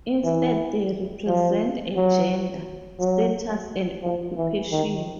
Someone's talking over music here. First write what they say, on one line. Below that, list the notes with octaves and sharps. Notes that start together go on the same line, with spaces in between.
Instead, they represent a gender, status, and occupation.
E3
F3
F#3
F#3
F3
E3
D#3